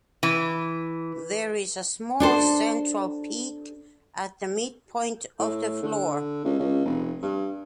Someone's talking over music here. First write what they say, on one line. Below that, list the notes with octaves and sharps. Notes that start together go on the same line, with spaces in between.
There is a small central peak at the midpoint of the floor.
E3
D4 A4 C5
A2
D3
C#2
C#2
F1
G2